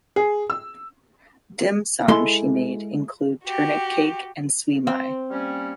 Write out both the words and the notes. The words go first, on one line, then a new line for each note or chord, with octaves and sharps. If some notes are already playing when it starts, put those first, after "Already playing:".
Dim sum she made include turnip cake and siu mai.
G#4
E6
G#3 E4 A4 C6
F#4 G4
C4
G3 A#3 C#4